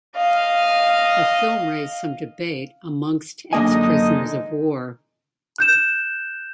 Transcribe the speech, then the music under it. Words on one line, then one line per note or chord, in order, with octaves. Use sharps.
The film raised some debate amongst ex-prisoners of war.
D#5 F5
F#2 D3 G#3 A#3 D#4 D#5 G#5
F#6 G6 E7